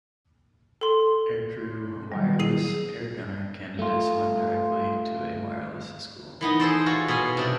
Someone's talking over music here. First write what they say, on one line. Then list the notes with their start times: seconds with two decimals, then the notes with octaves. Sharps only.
Aircrew "Wireless Air Gunner" candidates went directly to a Wireless School.
0.81 A4 C6
2.12 D#3 F#3 G3
2.39 E4 G#4 C7 D#7
3.79 A3 F4
6.41 E3 B3 D#4
6.60 G#4 A4 C5 D5
6.86 F4 F#4 C#5
7.08 B2 G#5
7.37 C3 D4 D5